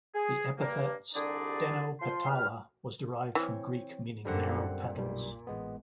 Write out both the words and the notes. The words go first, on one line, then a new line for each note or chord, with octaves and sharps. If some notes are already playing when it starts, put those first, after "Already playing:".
The epithet ""stenopetala"" was derived from Greek meaning narrow petals.
G#4
G2 A#3
C2 D3 G3 D#4 G#4 D5
F3 C6
E2 G3 B4 F6
E3 C4 C#5
F#2 D3 G3 A#3 C4 F#5
A#2
B1 G3
A1 G#3 B3